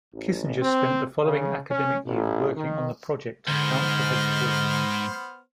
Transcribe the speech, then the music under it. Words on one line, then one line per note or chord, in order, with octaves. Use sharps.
Kissinger spent the following academic year working on the project at Council headquarters.
A1
C4
C#3
C#4
A1
D#3
C#2 G#2 D3 B3 C5 F6